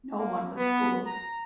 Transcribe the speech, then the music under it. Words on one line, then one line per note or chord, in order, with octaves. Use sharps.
No one was fooled.
A#3
B3
A#5